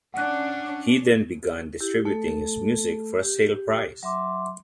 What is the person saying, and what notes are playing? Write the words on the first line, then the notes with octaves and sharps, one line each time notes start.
He then began distributing his music for a sale price.
C#4 D4 F#5 F#6
E4 G4
A3 A4
G4
F#3 E5 C6 D6